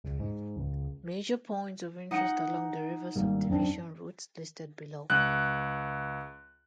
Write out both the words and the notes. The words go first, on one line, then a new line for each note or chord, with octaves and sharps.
Major points of interest along the River Subdivision route listed below.
C#2
G#2
C#2
D#4 F#5
G#1 G3 A#3
F#2 C4 D4
C#2 F#6